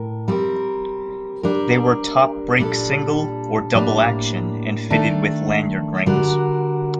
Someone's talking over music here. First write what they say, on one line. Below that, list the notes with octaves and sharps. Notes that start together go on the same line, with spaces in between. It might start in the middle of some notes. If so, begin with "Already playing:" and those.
They were top-break single- or double-action, and fitted with lanyard rings.
Already playing: A2 A#4
G3 C4 G4 A#4
G3 D4 G4 A#4
A#2 G3 D4 A4
A2 G3 A#3 D4
D#3 A3 D4 A4
D3 G3 D4 F#4 A#4